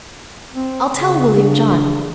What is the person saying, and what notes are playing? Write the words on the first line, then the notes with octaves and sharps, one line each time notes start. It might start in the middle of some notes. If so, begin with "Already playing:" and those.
I'll tell William John.
C4
C#3
D4